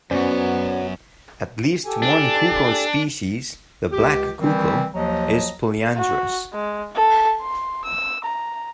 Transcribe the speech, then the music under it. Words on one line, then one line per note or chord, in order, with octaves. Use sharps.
At least one coucal species, the black coucal, is polyandrous.
F#2 F#3 B3 C#4 C5 D5
G4 A4 G#5
D4
C#2 G4
D#3 E3 G3 C4
D#2 F3 F#3 D#5
F#4
G#3
A4
C6
E6
A#5